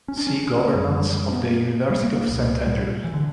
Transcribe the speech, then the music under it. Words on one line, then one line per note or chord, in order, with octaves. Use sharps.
"See Governance of the University of Saint Andrews".
C#4
D4
C#4
C#4
B3
A#3
F#2 C#3 G3
E3
G3
G3
C#4
B3
A#3
G3
A#3
A#3
C#2 B2
G3
E3
D3